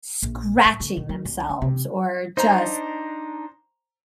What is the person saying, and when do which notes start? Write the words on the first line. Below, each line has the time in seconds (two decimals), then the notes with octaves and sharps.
scratching themselves or just,
0.22 A#1
0.65 A2
0.80 D3
0.97 B2
1.09 F#3
1.25 C2
1.49 D#3
1.62 C3
2.37 D4 D#4 C5 A#5